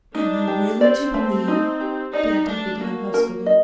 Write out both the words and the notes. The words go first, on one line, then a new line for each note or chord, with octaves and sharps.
'Am I really to believe,' Danton began huskily.
D4 D#4
G4
C4 D5
A3
D#4
G4
D#4 D5
A3 D4
A#3 F#4
A#4
D#5